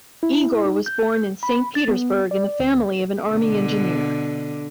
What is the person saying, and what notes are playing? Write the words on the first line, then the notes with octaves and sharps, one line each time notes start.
Igor was born in Saint Petersburg in the family of an army engineer.
E4
D#4
G6
B5
A6
B3
D5
D2
B2 D3